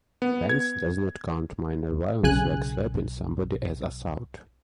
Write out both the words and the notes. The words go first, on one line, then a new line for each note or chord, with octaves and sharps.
France does not count minor violence like slapping somebody as assault.
B3
G#6
B1 C#3 G#5 F#6